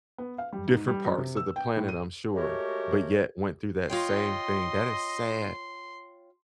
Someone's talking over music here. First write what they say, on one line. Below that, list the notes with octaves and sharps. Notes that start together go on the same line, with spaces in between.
different parts of the planet, I'm sure, but yet went through that same thing. That is sad.
B3
F5
G3
G#2
G3
F#2
C3
E6
G5
A2
D#7
G#3 A3 F#4 G4 A#4 C#5
F4 C#5 D#5 G5 C6